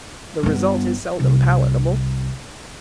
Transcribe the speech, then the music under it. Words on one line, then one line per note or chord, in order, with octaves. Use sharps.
The result is seldom palatable.
G1 B3
C2